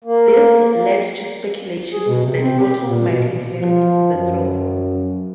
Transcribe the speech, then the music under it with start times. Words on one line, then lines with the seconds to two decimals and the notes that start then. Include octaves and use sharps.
This led to speculations that Otto might inherit the throne.
0.04 A#3
1.93 G#4
2.07 B2
2.24 C3
2.42 C4
2.59 G4
2.86 A#2
3.09 B2
3.61 F3
4.15 F#2